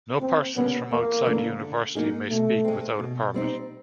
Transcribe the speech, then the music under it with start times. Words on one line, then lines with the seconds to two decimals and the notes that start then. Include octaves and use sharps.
No persons from outside the university may speak without a permit.
0.21 D#2 C4
0.56 D3 G3 A#3 B3 C#4
0.91 E2 A#3
1.26 C#3 E3 A3 D4
1.60 D3
1.95 F#3 A#3 D#4 G#4
2.30 B2 A3
2.65 G#3 C4
2.99 B2
3.34 G3 C4 D#4